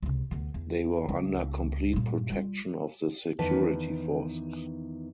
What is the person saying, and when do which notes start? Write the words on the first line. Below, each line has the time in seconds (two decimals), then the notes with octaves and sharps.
They were under complete protection of the security forces.
0.02 C#2 C3
0.31 D2 B3
0.54 E2
1.09 C#2
1.93 G2 A#2
2.30 G3 F4
3.39 E2 D#3 B4 A5